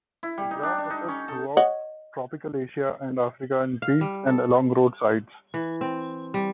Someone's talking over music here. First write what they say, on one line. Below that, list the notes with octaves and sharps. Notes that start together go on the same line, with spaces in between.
The grass occurs throughout tropical Asia and Africa in fields and along roadsides.
E4
G3
D#4
D4
D4
D#4
C#4
A4
C#5 D#5 F#5
F5
G3
A4
E3
C4
G3